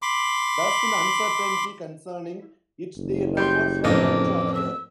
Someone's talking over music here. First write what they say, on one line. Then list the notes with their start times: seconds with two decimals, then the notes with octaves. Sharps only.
Thus in uncertainty concerning it they refer from one to another.
0.02 B5 C6 D6
2.97 F#1
3.37 G3 C6 G6
3.84 A1 F2 A#3 D4 D#4 D6
4.54 E6